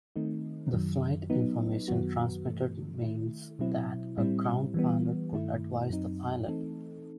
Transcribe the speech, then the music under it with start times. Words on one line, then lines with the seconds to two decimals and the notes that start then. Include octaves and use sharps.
The flight information transmitted meant that a "ground pilot" could advise the pilot.
0.16 D#3 A3 C4 D#4
0.73 F#2 D#3 F#3
1.30 F#3 B3 D#4
1.88 F#2 D#3 F#3 B3 F#4
2.45 G2 E3 A3
3.02 D#3 A3 E4
3.59 B2 F#3 C4 E4
4.18 A2 G3 C4 E4
4.74 E3 G3 B3
5.32 G2 D#3 A3 E4
5.90 F#2 F#3 C4 D#4
6.47 E3 A3 C4 D#4 A4